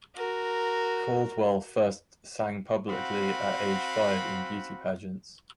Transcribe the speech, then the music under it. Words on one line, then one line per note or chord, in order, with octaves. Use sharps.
Caldwell first sang publicly at age five in beauty pageants.
F#4 A#4
C4 F#4 F5 F#5 B5